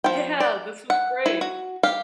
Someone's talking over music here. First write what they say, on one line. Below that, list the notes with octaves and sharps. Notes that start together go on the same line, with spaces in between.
Yeah, this was great
F3 G5
D5
F#5
E4
F#4
G4 F5